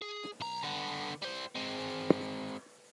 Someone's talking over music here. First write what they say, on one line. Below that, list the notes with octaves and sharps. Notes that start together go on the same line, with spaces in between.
The film received a mixed response from critics.
G#4
B1 A#5
D3 B3
G3 C5
G#3 C4